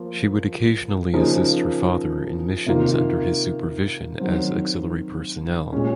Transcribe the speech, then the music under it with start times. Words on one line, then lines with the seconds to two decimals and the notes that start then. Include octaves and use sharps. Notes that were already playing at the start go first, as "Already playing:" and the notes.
She would occasionally assist her father in missions under his supervision as auxiliary personnel.
Already playing: F3 A#3 F4
1.14 C#3 F3 A#3 D#4 G#4
2.66 C3 D#3 A#3 F4
4.19 D#3 F#3 C4
5.72 A#2 G#3 C#4